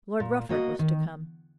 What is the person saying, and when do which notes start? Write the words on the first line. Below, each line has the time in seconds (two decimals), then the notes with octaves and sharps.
Lord Rufford was to come.
0.20 A#2
0.49 A#3 F#4 D#5
0.79 D#3